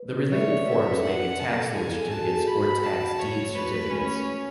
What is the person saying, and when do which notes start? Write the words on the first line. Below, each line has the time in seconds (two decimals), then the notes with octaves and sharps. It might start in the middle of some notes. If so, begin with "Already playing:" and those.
The related forms may be tax lien certificates or tax deed certificates.
Already playing: B4
0.32 C#5 E5
0.44 D5
0.55 B4
0.67 A4 E5
1.03 F#5
1.39 G#4 A5
1.53 A4
1.66 G#4
1.75 G#5
1.92 A4
2.02 G#4
2.11 F#4 A5
2.47 B5
2.83 A5
3.19 C#5
3.54 F#4 B4
3.66 A3
3.79 G#3
3.90 C#4